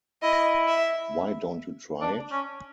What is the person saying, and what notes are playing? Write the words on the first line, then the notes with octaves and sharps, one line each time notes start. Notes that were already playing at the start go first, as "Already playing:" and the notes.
Why don't you try it?
E4 D#5
E5
D4
C#4